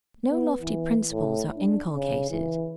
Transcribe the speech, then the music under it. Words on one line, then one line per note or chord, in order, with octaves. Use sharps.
No lofty principles are inculcated.
B3
E3
A2
D4
C#3
E3